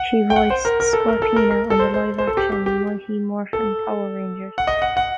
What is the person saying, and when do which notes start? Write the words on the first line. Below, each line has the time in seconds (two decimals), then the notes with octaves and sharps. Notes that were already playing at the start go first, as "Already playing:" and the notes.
She voiced Scorpina on the live-action "Mighty Morphin Power Rangers".
Already playing: F#5
0.30 G5
0.36 F#5
0.50 C5
0.65 A#4
0.80 A#4
0.93 A4
1.08 A#4
1.22 A4
1.36 A#4
1.51 A#4
1.70 A4
1.79 C5
1.94 C5
2.18 C5
2.27 A4
2.37 G4
2.52 G4
2.66 G4
3.53 A4
4.58 F#5
4.67 D#5
4.82 F#5
4.97 F#5